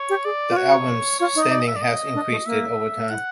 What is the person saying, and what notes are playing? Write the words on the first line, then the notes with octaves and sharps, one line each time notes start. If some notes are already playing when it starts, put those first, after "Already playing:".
The album's standing has increased over time.
Already playing: C#5
G4
G#4 D5
F4
F#4 C#5
F4 C#5
D#4
D#5
D5
D#5
E5
D5
D#5
D4
A3
A#3 E5
E4 F#5